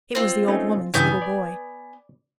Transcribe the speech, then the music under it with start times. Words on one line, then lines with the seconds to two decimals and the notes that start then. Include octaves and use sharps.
It was the old woman's little boy.
0.15 C4 F4
0.48 A3 C#4 D#4
0.94 G2 C#3 E3 B3 G#5 G6
1.22 D5